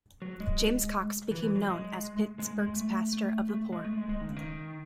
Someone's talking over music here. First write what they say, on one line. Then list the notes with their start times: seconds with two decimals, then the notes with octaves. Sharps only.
James Cox became known as Pittsburgh's "Pastor of the Poor".
0.22 F#3
0.40 G#3
1.31 E3
1.43 E3
1.56 F#3
1.68 G#3
2.39 G#3
2.58 G#3
2.76 A3
3.13 A3
3.49 A3
3.72 G#3
3.85 A3
3.97 G#3
4.09 G#3
4.21 D#3
4.29 C#3
4.36 D#3